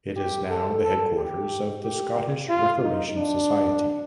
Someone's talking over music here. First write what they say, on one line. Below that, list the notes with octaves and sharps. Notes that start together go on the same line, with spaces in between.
It is now the headquarters of the Scottish Reformation Society.
G4
A4
A4
G4
G4
F4
D#4
D4